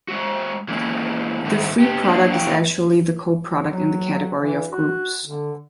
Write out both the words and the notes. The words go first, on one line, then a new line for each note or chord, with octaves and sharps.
The free product is actually the coproduct in the category of groups.
G#3 F#4
E3 G#3 A#3 C#4
G#2 D#3 G3 A3 G4
B3 G4
A#3 D4
A3 E4 F#4 F5 G5
F#3
E3
F#4
D3